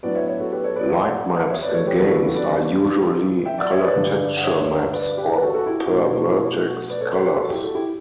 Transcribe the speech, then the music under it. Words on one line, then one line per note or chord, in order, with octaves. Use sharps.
Lightmaps in games are usually colored texture maps, or per vertex colors.
A2 F#3 B3 D4 B4 D5
C#5 E5
C#5 E5
F#4 A4
G4 B4
A4 C#5
B4 D5
C#5 E5
D5 F#5
C#5 E5
B4 D5
A4 C#5
G4 B4
E2 C#3 E3 G3 B3 F#4 A4
F#4
F#4 A4
B4 D5
E5 G5
D5 F#5
C#5 E5
B4 D5
G2 D3 G3 D4
F#5
C#5 E5
B4 D5
G4 B4
B4
F#4 A4
F#4 A4
E4 G4
F#4
E4
B2 A3 D4 F#4
F#4
E4
F#4
E4
E4
F#4
B4 D5
A4 C#5
A4 C#5
G4 B4
F#4 A4
E4 G4
F#4 A4
E4 G4